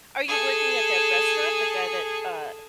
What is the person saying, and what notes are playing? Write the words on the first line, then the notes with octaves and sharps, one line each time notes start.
Are you working at that restaurant, the guy that, uh,
G#4 A4